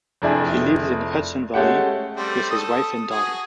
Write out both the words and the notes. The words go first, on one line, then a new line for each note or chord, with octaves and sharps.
He lives in the Hudson Valley with his wife and daughter.
F1 F2 D4 E4 G#4
G#3 A3 C#4 G4 F#5
G3 A3 C4
A4 D#6
F#4 G#4 D#6